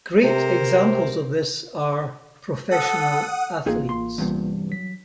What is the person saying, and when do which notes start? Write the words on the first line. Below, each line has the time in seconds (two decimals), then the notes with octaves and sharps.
Great examples of this are professional athletes.
0.23 C3 A#4 C5
2.71 A4 F#5 D#6
3.66 A1 A#3 C4 D#4 F4 G#4
3.89 C6
4.18 E2 G2 C3
4.69 F#3 B6